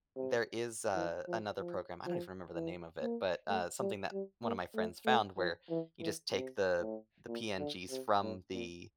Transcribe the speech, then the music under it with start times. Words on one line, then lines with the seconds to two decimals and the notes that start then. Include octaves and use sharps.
there is a another program- I don't even remember the name of it, but, uh, something that one of my friends found where, you just take the the PNGs from the
0.16 C3
0.95 E3
1.28 F3
1.59 F3
2.06 F3
2.54 E3
3.01 A#3
3.48 A3
3.80 G3
4.12 G3
4.43 A#3
4.75 A3
5.06 A3
5.37 F3
5.70 E3
6.01 E3
6.32 C3
6.80 A2
7.28 A#2
7.59 D3
7.90 C3
8.22 A2
8.53 A#2